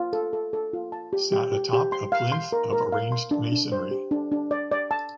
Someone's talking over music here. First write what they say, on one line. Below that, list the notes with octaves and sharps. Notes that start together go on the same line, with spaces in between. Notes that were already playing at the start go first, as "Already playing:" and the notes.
Sat atop a plinth of arranged masonry.
Already playing: F4
A4
A4
A4
F4
A5
G4
G4
G4
G4
C6
F5
C6
A#4
A#4
F5
C6
D4
D4
C5
G4
D4
D4
D5
D5
A5